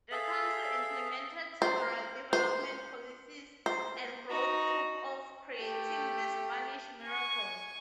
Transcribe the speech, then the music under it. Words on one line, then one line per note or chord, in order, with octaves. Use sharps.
The country implemented several development policies and growth took off creating the "Spanish Miracle".
G#4 A4 E5 F5
C5
C5
C5
D#4 F#4
A3 G4
G#5 C#6